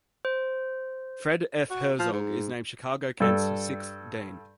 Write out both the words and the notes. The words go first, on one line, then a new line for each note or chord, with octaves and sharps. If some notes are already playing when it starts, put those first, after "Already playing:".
Fred F. Herzog is named Chicago-Kent's sixth dean.
C5
F#4
F3
G#2
G2 A4